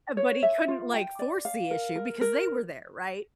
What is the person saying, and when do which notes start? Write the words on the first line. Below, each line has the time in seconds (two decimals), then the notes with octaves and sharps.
Uh, but he couldn't, like, force the issue because they were there, right?
0.17 C#5
0.43 E5
0.68 F4
0.94 G5
1.19 D5
1.45 F5
1.71 A#4
1.96 A#4
2.21 A#4